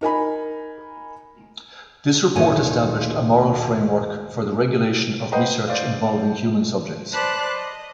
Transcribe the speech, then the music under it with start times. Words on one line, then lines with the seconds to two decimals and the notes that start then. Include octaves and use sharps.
This report established a moral framework for the regulation of research involving human subjects.
0.01 D#4 A#4 G#5 B5
2.36 D#2 A#2 D#3 A3 C#5 G#5
5.32 B4 C5 D#5 F#5 G5 A#5
5.68 C5 D5 F5
7.12 B4 C5 D5 A5 F#6
7.55 D#5